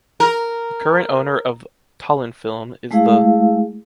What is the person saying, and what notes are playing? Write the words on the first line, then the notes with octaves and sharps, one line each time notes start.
The current owner of Tallinnfilm is the...
A#4
G#3 A3 E4 G#4 F5